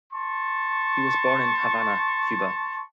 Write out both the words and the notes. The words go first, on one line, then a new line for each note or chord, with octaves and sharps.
He was born in Havana, Cuba.
A5 C6 C#6